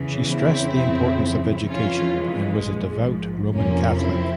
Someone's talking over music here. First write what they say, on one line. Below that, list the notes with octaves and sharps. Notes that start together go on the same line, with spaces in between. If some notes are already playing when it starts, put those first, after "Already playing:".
She stressed the importance of education and was a devout Roman Catholic.
Already playing: E2 C#3 E3
C4 E4
F2 C#3 E3
F2 E3 C#4 F4
G#3
A#1 G#2 F3
F2 C3 F3 A#3 C#4
C4 E4